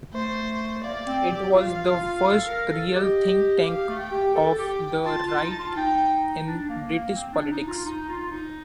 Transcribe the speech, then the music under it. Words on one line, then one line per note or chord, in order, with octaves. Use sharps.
It was the first real think-tank of the right in British politics.
A3 C5
A#3 D5
C4
G4
F4 F5
A4
A#4
A4
G4 D#5
G4 F5
A3
G5
G4
A4 G5
G4
F4 A5
F4
D#4
F4
D#4 G5
D4
A#3
A#3
C4
D4
D#4
F4
D#4
F4
D#4